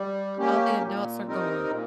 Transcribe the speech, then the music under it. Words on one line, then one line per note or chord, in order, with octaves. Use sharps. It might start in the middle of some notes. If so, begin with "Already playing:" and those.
All the adults are gone.
Already playing: G3
A#3 C#4 G4
A#2
G3 C4 D#4 A#4
A#2